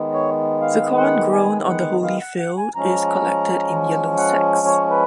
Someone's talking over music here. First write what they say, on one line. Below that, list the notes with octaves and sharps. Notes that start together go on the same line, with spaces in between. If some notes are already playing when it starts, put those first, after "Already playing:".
The corn grown on the holy field is collected in yellow sacks.
Already playing: D#3 G#3 B3
C#5
F5
F#5
G#5
F#5
F5
F#5
F#5
G#5
F3 G#3 C#4 A#5
F#5
C#5
B4